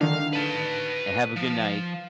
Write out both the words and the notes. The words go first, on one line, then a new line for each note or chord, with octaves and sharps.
And have a good night.
D3 D#3 F5
B4 A5
F3